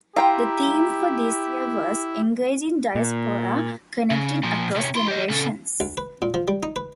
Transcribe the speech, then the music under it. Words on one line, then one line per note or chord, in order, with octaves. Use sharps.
The Theme for this year was "Engaging Diaspora: Connecting Across Generations".
E4 F4 G4 F5 G5 A#5
A#2
C#3
A#2 F3
C3 C#4
E4 C6
G4 D#5
C#3 A4
D2
B4
A#2
F3
G3
D#4
B4